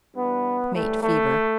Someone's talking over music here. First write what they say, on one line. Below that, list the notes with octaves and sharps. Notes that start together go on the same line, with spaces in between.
Mate fever.
G2 E3 G3 B3
A2 E3 G3 A3
A3